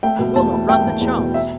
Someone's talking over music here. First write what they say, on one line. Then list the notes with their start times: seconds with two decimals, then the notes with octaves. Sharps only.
'I will not run the chance.
0.03 A3 G5
0.19 B2
0.36 E2 A5
0.52 A3
0.68 A3 G5
0.85 E2
1.01 E2
1.18 B2
1.34 E5